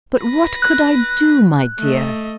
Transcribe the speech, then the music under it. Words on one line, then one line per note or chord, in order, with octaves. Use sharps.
'But what could I do, my dear?
B4 A#6
F#6
A3 D#5